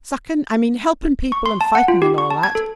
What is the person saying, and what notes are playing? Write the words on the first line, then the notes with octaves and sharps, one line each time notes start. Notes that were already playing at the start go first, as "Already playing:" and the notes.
Suckin'--I mean helpin' people an' fightin' an' all that.
C#6
C6
A5
F#5
F4
G4
C#6
A5
G#6
A4